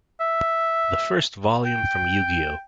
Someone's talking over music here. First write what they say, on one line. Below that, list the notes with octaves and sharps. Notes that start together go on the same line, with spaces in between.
The first volume from Yu-Gi-Oh!
E5
G5